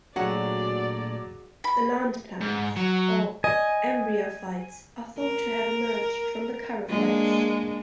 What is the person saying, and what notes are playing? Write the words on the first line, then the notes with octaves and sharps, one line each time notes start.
The land plants, or embryophytes, are thought to have emerged from the charophytes.
A#2 F#3 A3 D4 F#4 G#4 D5 F#5
B5
G#2
F#3
D#5 G#5
A#4
G#3 A#3 D4